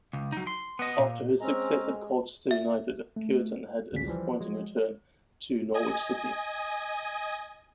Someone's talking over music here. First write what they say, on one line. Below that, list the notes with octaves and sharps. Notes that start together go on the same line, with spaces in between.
After his success at Colchester United, Cureton had a disappointing return to Norwich City.
C#2
F#3 D#4
C6
B3 D#5
A#2
G#3 C4 C#4 A#5
E5
A3
A1 D2 C#3 B6
E3 F3 G3
F3 F#3 G#3
D#5 G#5 D#6